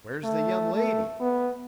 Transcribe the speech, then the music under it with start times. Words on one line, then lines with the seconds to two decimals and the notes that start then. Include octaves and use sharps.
"Where's the young lady?"
0.24 A3
0.74 A3
1.20 B3